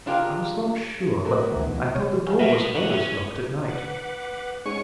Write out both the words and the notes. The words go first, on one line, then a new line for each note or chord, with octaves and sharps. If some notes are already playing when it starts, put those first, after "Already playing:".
I was not sure, but I thought the door was always locked at night.
D4 F4 G4 G#4 A#4 F5
A2 F#4 A4 A#4
D2 D#3 E3
B2 D#3 F3
B2
C#5
F3 F#3 C#4
B2 F3 F#4 E5
D3 B4 C#5 F#5
C#4 E4
B4 F#5 D6
G#2 C#4 C#5 G#5 C#6